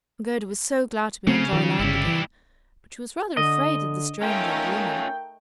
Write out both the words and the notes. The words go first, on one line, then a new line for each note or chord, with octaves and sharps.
And Gerda was so glad to be on dry land again; but she was rather afraid of the strange old woman.
C#3 A3 C4
D#3 F3
G1 C#3 G3 E4
E3
D3 D#5
A3 C#4 D#4 F4 A#4 G5